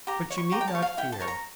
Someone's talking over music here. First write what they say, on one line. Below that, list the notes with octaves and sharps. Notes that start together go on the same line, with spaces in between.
But you need not fear.
G4 A#5
C#5
C#6
G4 A#5
G5
A5
C#5
F5
E4 G5
A5
A#4 C#5
A#5